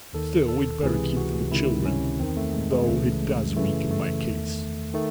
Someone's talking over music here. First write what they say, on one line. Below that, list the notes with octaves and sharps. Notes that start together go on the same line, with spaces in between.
Still we'd better keep to the children, though it does weaken my case.
D#2 D#3 A4
A4
C#2 C3 E3 G#4
F#4
C#2 C3 D#3 E4
C#4
E2 D#3 C4
A3
G#3
G#3
C#2 C#3 E3 A3
G#3
F#2 C#3 E3 A3
A3
E2 D#3
D#3 A3